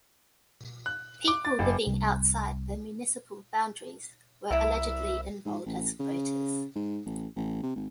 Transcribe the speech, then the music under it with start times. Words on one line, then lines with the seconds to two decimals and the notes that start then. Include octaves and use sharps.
People living outside the municipal boundaries were allegedly enrolled as voters.
0.86 F#6
1.28 D6
1.45 A6
1.59 F#1
1.87 C2
4.51 C2 E4 A#4 E5
5.45 G#2
5.65 A1
5.99 C#3
6.75 G#2
7.06 A1
7.35 A1
7.63 C3
7.76 G#1